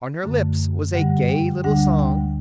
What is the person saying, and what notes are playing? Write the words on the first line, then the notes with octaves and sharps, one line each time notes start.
On her lips was a gay little song.
F#2 D3 A3
G2 D3 G3 F#5
G5
D2 D3 G3 D4 F#5
G5